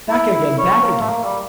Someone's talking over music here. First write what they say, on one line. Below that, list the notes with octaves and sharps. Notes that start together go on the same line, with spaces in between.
'Back again! back again!
E4
E4
C#4
A#3
A3
A#3
G3